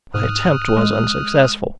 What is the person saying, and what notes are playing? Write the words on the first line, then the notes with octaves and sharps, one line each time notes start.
My attempt was unsuccessful.
G#2 D#6 F6 F#6
G#3